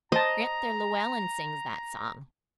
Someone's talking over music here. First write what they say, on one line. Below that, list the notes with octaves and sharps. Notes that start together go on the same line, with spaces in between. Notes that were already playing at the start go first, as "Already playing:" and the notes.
Gran'ther Llewellen sings that song.
C5 D#5 A5 A#5